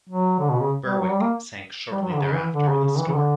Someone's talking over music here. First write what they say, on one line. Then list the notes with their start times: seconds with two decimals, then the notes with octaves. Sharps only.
"Berwick" sank shortly thereafter in a storm.
0.09 F#3
0.40 D3
0.50 B2
0.60 C#3
0.85 G3
1.01 F#3
1.11 G3
1.21 A#3
1.92 G3
2.02 F#3
2.13 D3
2.23 C#3
2.33 E3
2.53 D3
2.69 C#3
2.84 C#3
2.99 E3
3.09 C#3
3.15 D3